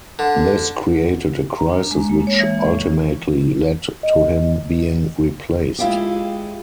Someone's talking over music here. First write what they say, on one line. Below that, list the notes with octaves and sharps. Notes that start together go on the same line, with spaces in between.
This created a crisis which ultimately led to him being replaced.
D3
A#5
D4
G#3
A#3
C#5
E3
A2
D#5
G#3 E4 F4 G4